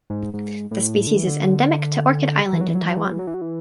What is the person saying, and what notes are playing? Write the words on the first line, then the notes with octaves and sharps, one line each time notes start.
The species is endemic to Orchid Island in Taiwan.
G#2
G#2
A2
D3
E3
D3
E3
F#3
E3
F#3
E3
F#3
E3
F#3
E3
F#3
E3
F#3
E3